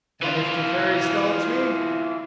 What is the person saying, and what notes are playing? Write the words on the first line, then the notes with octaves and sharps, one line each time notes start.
"And if the Fairy scolds me?"
E3 F4